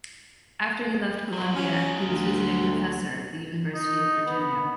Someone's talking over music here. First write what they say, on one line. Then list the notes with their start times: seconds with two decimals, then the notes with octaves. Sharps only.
After he left Columbia, he was Visiting Professor at the University of Virginia.
1.33 F#3 G#3
1.55 C#4
2.06 D2
3.75 D#4
4.27 B3